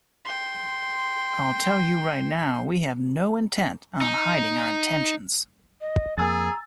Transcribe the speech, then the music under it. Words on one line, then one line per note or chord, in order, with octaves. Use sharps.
I'll tell you right now, we have no intent on hiding our intentions.
G5 C6
D#4
D#5
F2 A#3 G#4 G#5 A#5 E6 A6